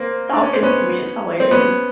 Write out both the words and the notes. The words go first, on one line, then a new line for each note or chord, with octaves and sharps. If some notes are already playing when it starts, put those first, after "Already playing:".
talking to me, it's hilarious.
Already playing: A#3 C4
D4
C#4
C4
B3 C#4
C4
B3 C#4